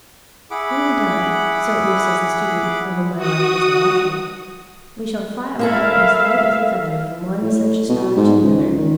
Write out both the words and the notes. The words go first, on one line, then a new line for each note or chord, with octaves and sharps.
When we die--so at least says the student, for whom my wife does the washing--we shall fly about as light as a feather from one such a star to the other.
E4 G#4 F#5 B5 D6
F#4 D#6
A#3 E4 A4 E5 F5
A2
B2
G#2
C#2
D#3